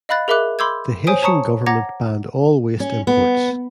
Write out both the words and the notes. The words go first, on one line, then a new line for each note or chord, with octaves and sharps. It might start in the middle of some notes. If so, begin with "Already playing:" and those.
The Haitian government banned all waste imports.
D#5 F5 B5 F#6 A6
G#4 A#4 E5 B5 D6 F#6
B5 C6 D6 E6 G6 G#6
C5 C#5 G#5 D#6 D7
C#5 A5 A#5 C#6 D#6 C#7
F#5 A#5 D6 G#6 A#6
C#4
B3